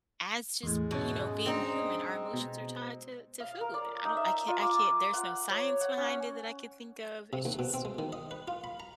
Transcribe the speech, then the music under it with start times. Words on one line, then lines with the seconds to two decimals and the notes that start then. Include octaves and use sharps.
as just you know, being human, our emotions are tied to to food. I don't I can't I can't, there's no science behind it that I could think of It's just
0.63 E2 A2 G#3
0.91 G#2 B2 E3 C#4
1.46 C4 D4 D#4
2.33 B2
3.40 F5
3.61 A#4
3.74 D5
4.05 D#4
4.17 E5
4.48 F4
4.61 D6
5.13 F#5
5.50 C#5
5.81 F#5
5.98 C#4
7.33 C3
7.45 D#2
7.59 B2
7.74 C4
7.85 G#3
7.99 D#3
8.13 D#5
8.31 B4
8.48 F4
8.64 B5
8.80 A#5